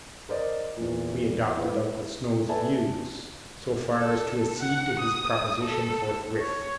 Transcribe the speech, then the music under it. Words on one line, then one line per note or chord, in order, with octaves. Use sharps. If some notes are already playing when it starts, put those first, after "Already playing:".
'We adopted Uncle Snow's views so far as to accede to his proposition forthwith.
A#4 C5 D5 D#5
E2 A#2
E4 B4 C5 F5
A4 B4 D5 E5 G#5 A5
A4
F#5
D#6
A4
C#5